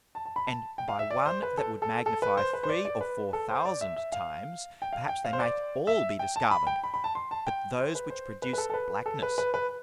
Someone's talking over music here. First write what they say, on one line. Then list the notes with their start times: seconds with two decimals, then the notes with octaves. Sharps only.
And by one that would magnify three or four thousand times perhaps they might all be discover'd, but those which produce blackness.
0.15 A5
0.25 A5
0.36 B5
0.47 A5
0.78 G5
0.88 F5
0.99 E5
1.11 D5
1.26 C5
1.43 B4
1.58 A4
1.82 A4
2.06 A4
2.22 B4
2.37 C5
2.53 B4
2.63 C5
2.69 D5
2.85 D5
3.01 B4
3.33 A4
3.49 C5
3.65 D5
3.81 E5
3.96 E5
4.12 F5
4.82 G5
4.93 F5
5.09 G5
5.25 F5
5.33 C5
5.40 D5
5.87 E5
6.19 G5
6.36 A5
6.51 B5
6.67 G5
6.84 B5
6.94 B5
7.04 A5
7.15 C6
7.31 A5
7.47 G5
7.79 C5
7.95 B4
8.10 C5
8.42 B4
8.53 B4
8.58 A4
8.70 A4
8.74 B4
9.06 A4
9.23 B4
9.38 B4
9.54 B4